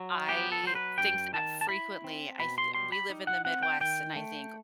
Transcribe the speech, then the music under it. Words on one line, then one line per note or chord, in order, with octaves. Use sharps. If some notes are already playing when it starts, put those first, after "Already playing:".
I think that frequently, I f we live in the Midwest and I think
Already playing: F#3
B3 G4
A4
F#3 C5
B4
F#2 G5
D#3 A5
A5
E4 B5
C4
B2 B5
C6
G3 C6
B5
D#4
F#5
C4 F#5
G5
D#3 G5
A3